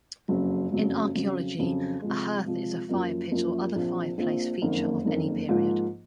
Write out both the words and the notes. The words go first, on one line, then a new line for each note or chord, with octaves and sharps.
In archaeology, a hearth is a firepit or other fireplace feature of any period.
F#1 F2 C#3 F#3
F#1 F2 C#3 F#3
F2 C#3 F#3
F2 C#3 F#3
C3 F3 G#3
C3 F3 G#3
F#2 F3 A#3 F4
F#2 F3 A#3 F4
A#1 A#2 F3 C4 F4
A#1 A#2 F3 C4 F4
F#1 F2 D#3 A#3
F#1 F2 D#3 A#3
G#2 F3 A#3 F4